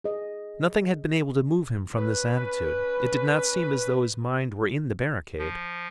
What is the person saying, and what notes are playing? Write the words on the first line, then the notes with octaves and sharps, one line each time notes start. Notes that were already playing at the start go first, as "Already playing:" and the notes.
Nothing had been able to move him from this attitude; it did not seem as though his mind were in the barricade.
G#4 D#5
C#4 B4
F3